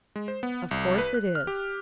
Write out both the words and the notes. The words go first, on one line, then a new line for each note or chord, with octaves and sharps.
"Of course it is."
G#3
C5
B3
C2
B4
F#6
F6
G4